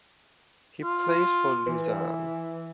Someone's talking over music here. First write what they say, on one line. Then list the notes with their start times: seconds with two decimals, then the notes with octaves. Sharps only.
He plays for Luzern.
0.83 F4
1.66 E3 B4